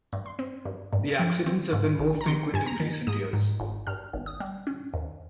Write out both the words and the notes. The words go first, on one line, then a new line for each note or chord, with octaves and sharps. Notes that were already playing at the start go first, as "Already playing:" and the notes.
The accidents have been more frequent in recent years.
G2
C6
C4
G2
G2
F3
C4
G#2
A#1
A#5
D#3 C6
G2 G#5
A#5
D#3
G#2 D#6
G#2
G#1
G2 F6
G#1
D#6
G3
C#4
D#2